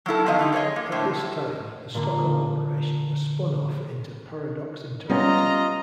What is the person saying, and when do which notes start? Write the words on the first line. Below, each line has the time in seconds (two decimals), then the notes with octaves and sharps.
At this time, the Stockholm operation was spun off into Paradox Interactive.
0.06 F#3 A#3 E4 A4
0.26 D#3 F3 F#3 B3 D#5 F5
0.39 D3 D#4 G4
0.52 G#4 A4 C5 C#5 D#5
0.76 A#3
0.92 A2 D3 C5 C#5 E5
1.94 A#2 D3 A#3
5.10 G3 B3 C#4 F4 D#5 A#5